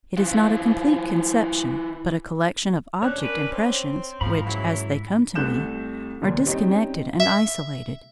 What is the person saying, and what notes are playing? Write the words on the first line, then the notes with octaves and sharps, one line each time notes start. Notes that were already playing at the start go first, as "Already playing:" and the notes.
It is not a complete conception, but a collection of object-impressions which, as they come to me, are disconnected and isolated.
E3 F4
C#4 D4 C#5 F#6
A#4 B4
C4 C#5
G#2 F3 E4 A#5 B5
C#3 E3 F#3
C2 C3 A3 F#6 G6 E7
D#2 A#2
G3 C4 C#4 D#4
E5